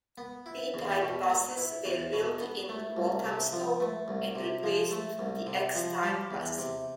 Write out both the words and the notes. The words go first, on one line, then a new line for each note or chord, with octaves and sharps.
B-type buses were built in Walthamstow and replaced the X-type bus.
B3
E4
E2
B2
B3
E4
E2
B2
B3
A3
C2
C3
F3
A3
C2
C3
F3
A3
C2
C3
F3
G3
E2
C3